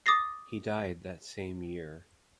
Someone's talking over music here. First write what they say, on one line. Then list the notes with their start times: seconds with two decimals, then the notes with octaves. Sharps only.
He died that same year.
0.06 D6 D#6 A6 A#6 C7